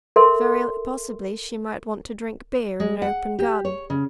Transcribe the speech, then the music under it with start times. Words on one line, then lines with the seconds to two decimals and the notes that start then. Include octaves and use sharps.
Very possibly she might want to drink beer in an open garden.
0.16 A4 A#4 E5 C6
2.80 G#3
3.02 F#5
3.39 G4
3.65 C#5
3.90 C#3